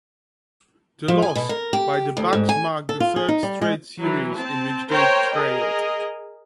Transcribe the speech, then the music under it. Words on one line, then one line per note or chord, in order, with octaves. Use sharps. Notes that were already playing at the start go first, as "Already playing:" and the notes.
The loss by the Bucks marked the third straight series in which they trailed.
F3
G#5
B2
A#4
G4
D2
G#2
G#5
A4
F4
G#4
D#4
G3
G#3
E3 F#3
C4 A5
A#4 C5 C#5 G5
G#4 A#4 D#5